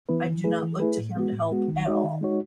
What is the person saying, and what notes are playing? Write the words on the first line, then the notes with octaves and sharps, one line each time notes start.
I do not look to him to help at all,
E3 B3 E4 B4
E3
A3 E4 G#4 B4
E3
A3 E4 G#4 B4
A2
G#3 B3 F#4
A2
G#3 B3 F#4
D#3
G#3 D#4 F#4 C#5
D#3
G#3 D#4 F#4 C#5